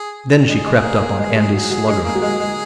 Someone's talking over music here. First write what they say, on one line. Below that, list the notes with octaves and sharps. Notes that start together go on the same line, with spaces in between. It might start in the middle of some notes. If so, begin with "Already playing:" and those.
Then she crept up on Andy's Slugger.
Already playing: G#4
G#3 G#4
G#3
A#3
A#3
G#3
G#3
F#3
F#3
G#3
A#3
F#3
G#3
G#3